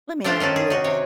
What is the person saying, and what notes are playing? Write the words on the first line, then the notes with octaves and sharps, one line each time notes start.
Let me ask you this
A3 D4 F4 G4 C5
D#3 C#4 D4 A4
G#4
D#4 F#4
C3 C#5